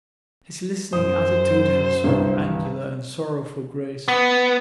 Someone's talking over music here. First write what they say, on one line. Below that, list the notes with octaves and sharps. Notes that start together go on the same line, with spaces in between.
His listening attitude had a sort of angular and sorrowful grace.
F#2 C5 D#6
C2 G2
B3